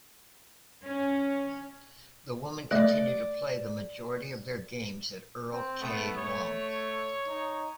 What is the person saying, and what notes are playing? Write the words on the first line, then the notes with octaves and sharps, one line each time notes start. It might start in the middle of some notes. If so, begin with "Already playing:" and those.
The women continue to play the majority of their games at Earl K. Long.
C#4
A3 D5 D#5 F#6
C4
A3 B3
A3 C#5
D#4